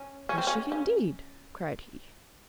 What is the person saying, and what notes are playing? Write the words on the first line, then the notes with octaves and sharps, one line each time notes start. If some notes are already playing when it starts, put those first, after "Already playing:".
"Does she indeed?" cried he.
Already playing: C#4
C#4
C4
C#4
C#4